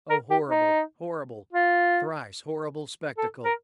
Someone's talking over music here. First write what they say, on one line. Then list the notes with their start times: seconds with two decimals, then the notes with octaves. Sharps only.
Oh, horrible, horrible, thrice horrible spectacle!
0.10 A#4
0.30 G4
0.50 D#4
1.53 F4
3.18 A4
3.45 A#4